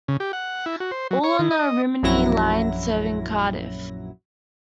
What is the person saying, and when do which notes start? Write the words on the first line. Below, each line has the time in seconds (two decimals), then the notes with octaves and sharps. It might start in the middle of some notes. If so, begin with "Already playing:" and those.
All on the Rhymney Line serving Cardiff.
0.08 C#3
0.20 G4
0.33 F#5
0.66 E4
0.80 F#4
0.91 C5
1.11 F#3
1.24 C#5
1.39 D#3
1.51 D#5
2.03 A#1 F#2 F#3 E4 A#6